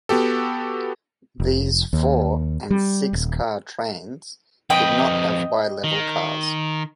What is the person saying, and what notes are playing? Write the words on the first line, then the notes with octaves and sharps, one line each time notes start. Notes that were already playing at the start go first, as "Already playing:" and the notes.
These four- and six-car trains did not have bilevel cars.
B3 F#4 G4 A4
F1
D#2
G3
D#1
F2 B4 D#5 G5
D#3